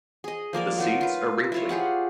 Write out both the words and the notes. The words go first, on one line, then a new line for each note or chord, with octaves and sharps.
The seeds are wrinkly.
G#4 D#5
F3 A#3 A#4 D5
F#3 D#4 F4
F4 B4
E4 F4 C#5
F4 G4 G#4 F#5